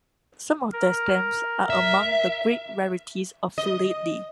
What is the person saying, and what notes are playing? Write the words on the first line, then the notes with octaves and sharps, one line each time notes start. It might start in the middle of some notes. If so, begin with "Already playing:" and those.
Some of their stamps are among the great rarities of philately.
A#4
E5
D#5